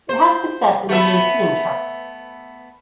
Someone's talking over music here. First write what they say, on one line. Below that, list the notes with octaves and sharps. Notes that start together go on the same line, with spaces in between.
It had success in the European charts.
C5
A3 B3 E5